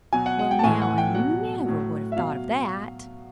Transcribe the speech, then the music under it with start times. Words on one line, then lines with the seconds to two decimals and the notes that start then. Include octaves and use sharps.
Well, now, I never would have thought of that!
0.13 B2 F#3 G#5
0.26 F#5
0.39 F#5
0.51 G5
0.59 A5
0.64 A2 E3 G#5
0.82 F#5
0.98 G5
1.15 B2 F#3 F#5
1.66 A2 F#3
2.12 E5
2.16 B2 F#3 F5